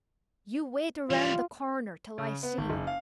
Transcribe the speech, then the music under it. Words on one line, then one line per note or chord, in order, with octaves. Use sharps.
"You wait around the corner till I see."
E3 G3 F4
C#3
B3
G#1
F#1
F5